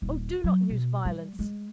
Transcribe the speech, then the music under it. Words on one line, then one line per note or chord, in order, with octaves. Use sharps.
'Oh, do not use violence!
D#1
F#3
B2
G3
G#3